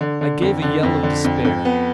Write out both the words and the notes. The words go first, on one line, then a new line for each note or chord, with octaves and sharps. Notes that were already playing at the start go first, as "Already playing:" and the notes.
I gave a yell of despair!
D3
D3
F2
D3
F2
D3
F2
F2
B3